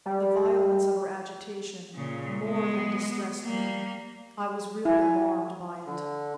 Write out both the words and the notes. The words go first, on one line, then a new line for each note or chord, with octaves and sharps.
The violence of her agitation more than distressed me--I was really alarmed by it.
G3
A#2 C#3
G#3 B3
G3 A#3
E4 G#5
D3